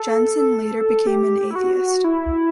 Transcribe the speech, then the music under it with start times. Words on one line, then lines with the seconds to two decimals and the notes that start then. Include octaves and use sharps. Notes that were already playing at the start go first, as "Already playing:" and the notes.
Jensen later became an atheist.
Already playing: A4
1.07 G4
1.51 E4
1.55 F#4
2.04 E4